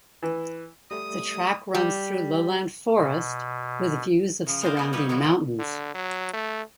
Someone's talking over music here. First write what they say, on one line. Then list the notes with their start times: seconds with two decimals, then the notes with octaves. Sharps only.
The track runs through lowland forest, with views of surrounding mountains.
0.22 E3
0.91 G3 A3 D#6
1.75 G3
2.96 B2
4.47 C#3 F3
4.62 G#3 B3 C5 D5 D#5 F5
4.77 A#3 B3 A4
4.93 F#3 G3 B3 D#4 B4 C#5
5.09 D#3 F3 G3 E4 F#4 D5
5.23 A#2 E3
5.59 D3
5.94 F#3
6.33 A3